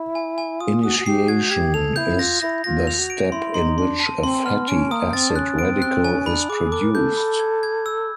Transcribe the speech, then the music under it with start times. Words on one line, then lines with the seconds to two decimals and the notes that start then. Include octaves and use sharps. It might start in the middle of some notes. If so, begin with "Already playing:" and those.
Initiation is the step in which a fatty acid radical is produced.
Already playing: E4
0.15 G#5
0.38 G#5
0.61 F4 D#6
0.83 F#4 D#6
0.99 F#4
1.06 G4 C7
1.28 F#4 G#6
1.51 G4 G#6
1.74 A4 F7
1.96 E4 G6
2.19 F4 A#6
2.42 E4 A#6
2.64 F4 A#6
2.87 F7
2.98 F#4
3.10 D7
3.32 E4 C6
3.54 D#4 C6
3.77 D4 C6
4.00 A5
4.23 C4 C6
4.45 B3 F6
4.68 C#4 D7
4.91 A#3 D#6
5.13 C4 A6
5.30 D4
5.36 C#4 F#6
5.59 B3 D7
5.70 C4
5.82 F#6
6.04 C#4 G#5
6.26 D4 B5
6.49 G#4 D6
6.72 A4 D6
6.82 A#4
6.93 A4 G6
7.17 B5
7.40 G#6
7.63 G#6
7.86 E6